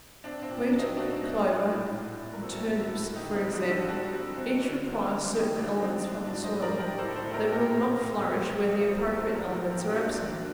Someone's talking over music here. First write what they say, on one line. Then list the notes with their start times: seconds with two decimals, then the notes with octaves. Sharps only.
Wheat, clover, turnips, for example, each require certain elements from the soil; they will not flourish where the appropriate elements are absent.
0.24 C4 D4
0.42 C4
0.49 A#2
0.62 D4
0.73 F#3
0.79 C4 D#4
0.97 A3 D4 F#4
1.22 A3
1.46 A#2
1.71 A2
1.94 A2
2.19 A3
2.33 A#4
2.43 C4 F#4 A4
2.68 A3
2.79 F#4 A4
2.91 A2
3.15 D3 D#4 G4
3.33 C4 D#4
3.41 G3
3.52 D4 F#4
3.65 G3
3.70 F#4 A4
3.88 G3 D4 F#4
4.13 C4
4.37 C4
4.62 D3
4.86 C4
5.10 D3
5.34 A3 D#4 G4
5.58 D3 D4 F#4
5.82 C4 D#4
6.07 A2 D4
6.26 D4 F#4
6.32 A2
6.43 C5 D#5
6.56 A2
6.62 A#4 D5
6.79 A2 G4 A#4
6.98 A4 C5
7.04 A2
7.16 A4 C5
7.29 A3
7.34 G4 A#4
7.52 A#2 G4 A#4
7.77 C4
8.02 C4
8.26 A3
8.50 C4
8.72 F#3 D#5
8.81 D5
8.90 C5
8.98 A2 G4 A#4
9.17 A4 C5
9.23 F#3
9.35 A#4 D5
9.47 A2
9.54 A4 C5
9.71 A#3 G4 A#4
9.90 D4 F#4
9.96 A#3
10.07 D4
10.20 F#3
10.26 D4